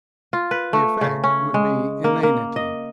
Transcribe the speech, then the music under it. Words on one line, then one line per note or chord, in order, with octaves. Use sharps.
The effect would be inanity.
F4
B4
A3
C#3
C#4
G#3
A#3
A#3
D#5